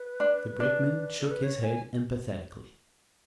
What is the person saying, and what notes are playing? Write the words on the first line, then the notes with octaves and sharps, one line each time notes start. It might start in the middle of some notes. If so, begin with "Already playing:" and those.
The Brakeman shook his head emphatically.
Already playing: B4
D4
D4
A4
B4
C#5
G#5